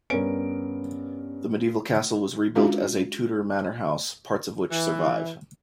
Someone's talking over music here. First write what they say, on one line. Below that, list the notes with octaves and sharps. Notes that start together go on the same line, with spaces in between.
The medieval castle was rebuilt as a Tudor manor house, parts of which survive.
G2 B3 C#4 A#4 D7
G#3 C#4 D4 F4 F#4 F5
E3